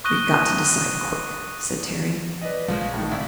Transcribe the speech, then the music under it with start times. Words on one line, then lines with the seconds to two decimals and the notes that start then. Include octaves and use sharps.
"We've got to decide quick," said Terry.
0.04 C#6 D#6 F#6 A#6 D#7 G7
2.41 B4 D5 D#5
2.68 A#1 C#3 F3 G#3 A#3
2.94 A2 D#3
3.11 C2 E4